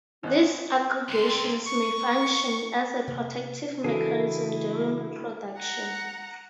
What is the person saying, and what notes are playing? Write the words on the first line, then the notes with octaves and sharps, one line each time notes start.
These aggregations may function as a protective mechanism during reproduction.
G#1 F#6
C3 G3 C6
C#6
C3 A#3
C#3 E3 G#3 D4 E4 F#4 G#4 A4
F#5 A#5